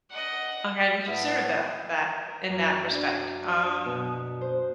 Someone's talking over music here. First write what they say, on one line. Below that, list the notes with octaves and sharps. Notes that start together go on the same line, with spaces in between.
I hadn't considered that that in that respect. Um
D#5 F#5
A2 B3 E4 F6
A#4
F#2
D4
D#6
B2
C5